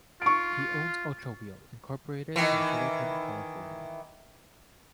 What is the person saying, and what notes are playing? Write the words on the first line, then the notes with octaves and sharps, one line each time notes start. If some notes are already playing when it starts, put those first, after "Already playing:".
He owns Ultra Wheel, Incorporated in Fullerton, California.
F4 C#6 D7
D#3 E3